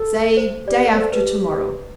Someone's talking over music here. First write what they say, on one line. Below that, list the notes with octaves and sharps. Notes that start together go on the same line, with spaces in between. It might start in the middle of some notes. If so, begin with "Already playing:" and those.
"Say day after to-morrow."
Already playing: A4
C5
G4 D5
A4
A4 C5
G4 B4